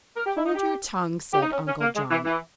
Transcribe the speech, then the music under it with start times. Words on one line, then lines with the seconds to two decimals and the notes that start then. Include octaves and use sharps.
"Hold your tongue," said Uncle John.
0.17 A#4
0.26 G4
0.36 E4
0.46 D#4
0.55 G4
1.33 G4
1.42 D#4
1.53 C#4
1.67 C#4
1.81 A#3
1.96 G#3
2.11 E3
2.25 E3